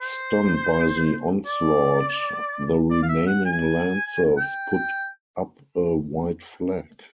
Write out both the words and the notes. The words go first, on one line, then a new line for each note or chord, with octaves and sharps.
Stunned by the onslaught, the remaining Lancers put up a white flag.
C5
D5
D5
F5
E5
F#5
G#5
G5
G5